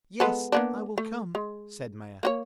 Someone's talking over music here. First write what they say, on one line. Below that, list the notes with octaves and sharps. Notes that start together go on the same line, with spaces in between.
'Yes, I will come,' said Maia.
G#3 B3 A4
A#3 B3 D4
A3
G#3
A#3 F#4 C#5